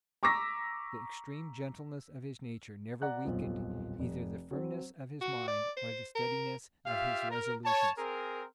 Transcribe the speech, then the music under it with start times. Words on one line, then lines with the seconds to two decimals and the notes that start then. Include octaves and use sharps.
The extreme gentleness of his nature never weakened either the firmness of his mind or the steadiness of his resolutions.
0.23 A#5 C#6 D6 E6 A#6 B6
3.02 D5 F#5 A#5 F#6
3.25 D#1 B1 F2 F3
3.99 F1
4.51 F#3 C4
5.21 F#4
5.48 D5
5.77 C5
6.15 A#4
6.85 F4 G4 E5 F5
7.30 A#4
7.65 C#5 A5
7.97 C4 G#4 A#4